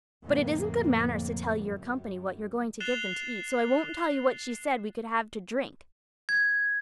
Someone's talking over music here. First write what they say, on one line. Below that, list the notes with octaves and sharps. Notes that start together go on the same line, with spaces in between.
But it isn't good manners to tell your company what you are going to give them to eat, so I won't tell you what she said we could have to drink.
F2 A2 D3 A#3
F#2 G3
F#6 A6 C7 E7 F7 G7
G#6